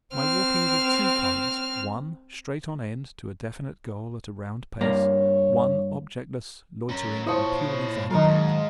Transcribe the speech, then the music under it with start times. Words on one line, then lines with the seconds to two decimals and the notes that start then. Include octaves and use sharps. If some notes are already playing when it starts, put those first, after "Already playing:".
My walking is of two kinds: one, straight on end to a definite goal at a round pace; one, objectless, loitering, and purely vagabond.
0.14 C4 F6
4.81 G2 A#3 C#5
6.89 C#4 A#4
7.26 A#2 F3 E4 C5 C#5 C#6 D#6
8.11 D#3 F#3 F4 A#4 D#5 A#5
8.28 G#2